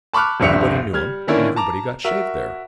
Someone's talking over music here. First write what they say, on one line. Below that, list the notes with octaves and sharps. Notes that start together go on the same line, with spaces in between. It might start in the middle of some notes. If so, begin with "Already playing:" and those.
Everybody knew him and everybody got shaved there.
A5 B5 C#6 D6 F6 F#6
D#1 A#1 G2 E5 C#7 F7
G3 F6 G#6
D3 D#3 A#3 C#4 D4 E4
A5 A#5 D6
F#4 A#4 E5